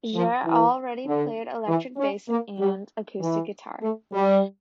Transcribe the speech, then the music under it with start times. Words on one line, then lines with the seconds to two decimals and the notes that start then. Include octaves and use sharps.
Jere already played electric bass and acoustic guitar.
0.14 F3
0.45 E3
1.06 D3
1.67 E3
1.97 C#4
2.28 A#3
2.59 G3
3.20 E3
3.81 A3
4.12 G3